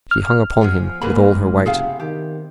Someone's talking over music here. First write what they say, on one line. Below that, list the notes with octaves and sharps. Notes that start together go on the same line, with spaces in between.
She hung upon him with all her weight.
F6
F3 B3 G#4
G#2 E3 G#3 A#3 B4 B5
F#1
C3 B3 E4 G#4 F5
D#3 G4